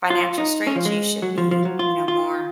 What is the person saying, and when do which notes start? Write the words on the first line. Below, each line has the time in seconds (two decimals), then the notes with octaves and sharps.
financial straits you should be, you know, more
0.10 F4
0.38 D#4
0.67 C#4
0.76 F3
0.85 G#3
1.22 F#3
1.38 F3
1.51 F3
1.65 F#3
1.79 F4
2.08 F4